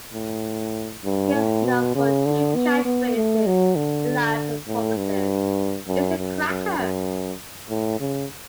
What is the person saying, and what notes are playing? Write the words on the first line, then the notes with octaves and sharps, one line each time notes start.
He is known for two catchphrases in live performances: It's a cracker!
A2
G2
A2
B2
C#3
D3
B3
B3
A3
F#3
D3
A2
G2
F#2
F#2
F#2
F#2
A2
C#3